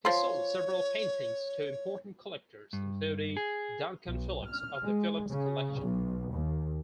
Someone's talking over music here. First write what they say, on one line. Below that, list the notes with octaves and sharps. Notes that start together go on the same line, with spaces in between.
He sold several paintings to important collectors including Duncan Phillips of the Phillips Collection.
F3 C#5 C6
G2
G#4
B1
F6
G#3
C#3
B1
D#2